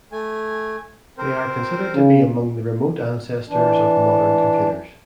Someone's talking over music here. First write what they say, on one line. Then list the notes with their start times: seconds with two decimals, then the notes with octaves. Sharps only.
They are considered to be among the remote ancestors of modern computers.
0.12 A3 G#5
1.18 C4 A#4 C5
1.95 C#3
3.49 E3 D4